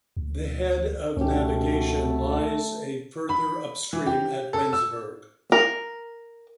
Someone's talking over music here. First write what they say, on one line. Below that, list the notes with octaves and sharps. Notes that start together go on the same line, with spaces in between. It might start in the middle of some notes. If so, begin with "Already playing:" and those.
The head of navigation lies a further upstream at Rendsburg.
D2
C#2 B2 A3 C#4 G4
B5
E3
G4
A4
E6
A#4